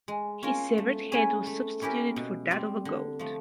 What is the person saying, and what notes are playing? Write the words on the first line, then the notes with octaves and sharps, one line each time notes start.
His severed head was substituted for that of a goat.
G#3
C#4 F4 A#4
A3
C#4 E4 G#4
A3
C#4 E4 G4 A#4
B2
G3 C4
D3
F3 A3